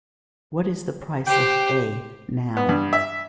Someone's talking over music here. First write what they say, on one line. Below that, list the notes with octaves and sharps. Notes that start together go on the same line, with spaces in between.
What is the price of "A" now?
G4 C5 G5
B3
G2
E5